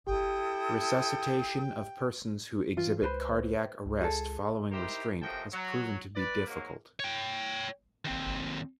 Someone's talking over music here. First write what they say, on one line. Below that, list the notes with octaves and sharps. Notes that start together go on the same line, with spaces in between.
Resuscitation of persons who exhibit cardiac arrest following restraint has proven to be difficult.
E4 G4 A4 G5 D#6
E3 F4
C#2 B4 C5 B5
C#2
G#4 A4
D#4 E4 G4 A#4 C5
F#2 C3 F3 A4 D#5 G5
F#3
B4 D5
G#2 F#3 G#3 A#3
C#5 G5
D#2 C4